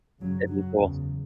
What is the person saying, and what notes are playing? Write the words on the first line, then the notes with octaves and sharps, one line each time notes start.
that'd be cool.
F#2 C#3 F#3
F#3
E2 C#3